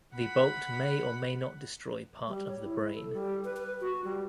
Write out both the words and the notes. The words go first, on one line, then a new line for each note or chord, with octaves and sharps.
The bolt may or may not destroy part of the brain.
F#5 B5
G3
C#5
E4
A4
G3
B4
B4
F#4
G3